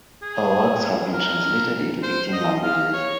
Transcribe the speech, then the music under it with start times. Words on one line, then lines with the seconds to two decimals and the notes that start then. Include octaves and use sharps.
Her works have been translated into eighteen languages.
0.22 G#4
1.13 A#4
2.03 C5
2.33 D#5
2.63 F5
2.93 C#5